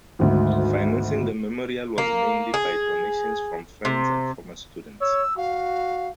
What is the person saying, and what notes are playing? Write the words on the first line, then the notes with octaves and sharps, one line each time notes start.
Financing for the memorial was mainly by donations from friends and former students.
G#1 D2
A#3
G#4
C3
C#5 E6
F#4 F5